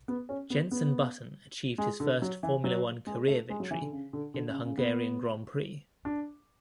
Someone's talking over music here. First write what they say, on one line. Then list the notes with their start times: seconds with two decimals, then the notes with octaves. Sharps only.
Jenson Button achieved his first Formula One career victory in the Hungarian Grand Prix.
0.08 B3
0.29 C#4
0.50 B3
0.71 B3
1.78 G#3
2.00 D3
2.22 F#3
2.43 E3
2.64 F#3
3.07 G#3
3.28 A3
3.50 G#3
3.60 F#3
3.71 E3
3.81 D3
3.92 C#3
4.13 D3
4.34 D3
4.49 C#3
4.64 C#3
4.78 B3
6.05 D4